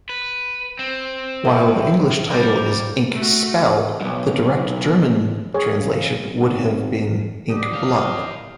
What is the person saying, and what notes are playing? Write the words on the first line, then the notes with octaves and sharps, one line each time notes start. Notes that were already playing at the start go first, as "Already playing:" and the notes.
While the English title is ink"spell", the direct German translation would have been ink"blood".
B4
C4
A2
G3 A#3 C5
A3 F#4
B1 F#2
G#4 C#5
C#3
G#1
D#2 C#3 D4 F#4 G4 D5 D#5
A2 G4 F5